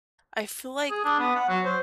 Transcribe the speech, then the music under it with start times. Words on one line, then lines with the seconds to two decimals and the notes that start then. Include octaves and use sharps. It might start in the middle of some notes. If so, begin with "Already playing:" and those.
I feel like
0.90 G#4
1.04 D4
1.19 B3
1.35 F#5
1.49 F#3
1.65 C5